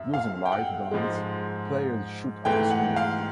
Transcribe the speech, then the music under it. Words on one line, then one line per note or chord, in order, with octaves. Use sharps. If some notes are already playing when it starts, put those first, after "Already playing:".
Using light guns, players shoot at the screen.
Already playing: F#2 E5
F5
G5
F#5
G#2 F3 G#3
G#2 E3 A3 G5
F#5
F5